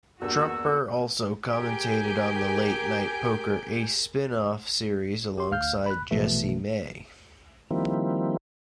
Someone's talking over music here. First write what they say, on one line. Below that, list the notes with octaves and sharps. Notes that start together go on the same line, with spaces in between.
Trumper also commentated on the Late Night Poker Ace spin-off series alongside Jesse May.
E2 G2 A#3 B3 F#4 E6
G4 G#4 A#4 G#5 G6 D7
G4 C6
D2 F5 F6 G6
B5 F#6
A#1 B2 E3 A3
D#3 F3 G3 A#3 C4 E4